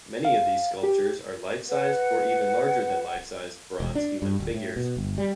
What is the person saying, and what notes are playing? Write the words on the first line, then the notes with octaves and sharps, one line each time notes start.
Many of these sculptures are life-sized or even larger than life-sized bronze human figures.
F5
G4
B4 F#5
E1
D4
G2
D1
A2
B2
G1
G3